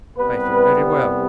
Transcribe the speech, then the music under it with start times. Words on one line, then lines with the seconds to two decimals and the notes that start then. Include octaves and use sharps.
"I feel very well."
0.16 C2 C3 G3 B3 B4